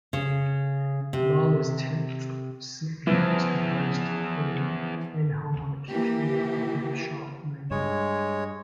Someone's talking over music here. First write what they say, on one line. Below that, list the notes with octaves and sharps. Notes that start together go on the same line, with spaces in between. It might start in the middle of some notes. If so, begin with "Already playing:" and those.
Mahler's Tenth Symphony was composed in the enharmonic key of F-sharp major.
C#3
C3
E2 E3 F3
E3 A#3 G4
G2 G#3 C#5